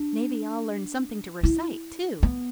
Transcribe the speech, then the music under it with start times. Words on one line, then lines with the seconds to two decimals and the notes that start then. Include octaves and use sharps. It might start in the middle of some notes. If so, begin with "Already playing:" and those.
"May be I'll learn something to recite, too."
Already playing: D4
1.43 E4
2.23 B3